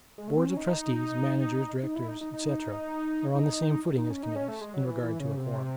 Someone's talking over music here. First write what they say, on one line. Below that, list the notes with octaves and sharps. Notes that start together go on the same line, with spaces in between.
Boards of Trustees, Managers, Directors, etc., are on the same footing as committees, in regard to a quorum.
G#3
A3
C4
C#4
D#4
D#4
E4
D#4
D#4
D#4
D#4
D#4
C#4
D#4
C#4
A3
G#3
F#3
E3
E3
C#3
C3